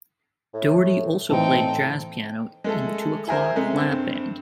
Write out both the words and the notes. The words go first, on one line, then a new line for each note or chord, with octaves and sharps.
Daugherty also played jazz piano in the Two O'Clock Lab Band.
A2
A2 E3 C4 D#4 A4 G5
G#3 A3 A4
E4 G#4 A#4 C5
C3 G#3 A3
G2 C4